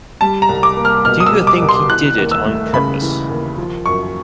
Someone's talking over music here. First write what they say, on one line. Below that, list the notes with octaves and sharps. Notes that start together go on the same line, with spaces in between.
Do you think he did it on purpose?
G3 A5
A#5
C2
D6
A#3
F6
B2 F6
D#6
E6
G3
D6
C2
C6
E3 F#6
D#2
E6
A3
C#3 B5
E3
D#2
F3
F#2 C#6